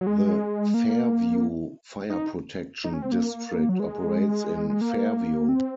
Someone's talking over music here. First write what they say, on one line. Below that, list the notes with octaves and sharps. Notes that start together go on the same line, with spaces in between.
The Fairview Fire Protection District operates in Fairview.
F#3
G#3
A#3
D#4
D#4
C#4
C4
A#3
F#3
G#3
G#3
A#3
C4